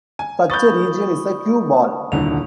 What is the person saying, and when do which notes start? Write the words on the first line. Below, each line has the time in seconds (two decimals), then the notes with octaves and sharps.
Such a region is a Q-ball.
0.19 G#5
0.50 B5 C#6 D#6 G6 A6
2.12 D#1 C2 D3 F7